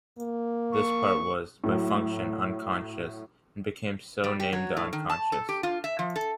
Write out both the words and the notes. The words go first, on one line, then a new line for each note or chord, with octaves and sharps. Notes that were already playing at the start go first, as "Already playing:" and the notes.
This part was, by function, unconscious, and became so named the Unconscious.
A#3
C#6
A2 F#3
G3
G4
F#3
A2
D#3
A5
A4
G4
F4
E5
F3
A4